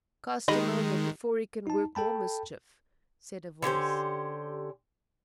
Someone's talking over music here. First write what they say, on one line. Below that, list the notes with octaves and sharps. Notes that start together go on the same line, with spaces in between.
"Cast him over before he can work more mischief," said a voice.
D#3 G#3 G4 D#5 B5
D#4 A5
A4 G5 A5 B5
D3 C#4 G4 C5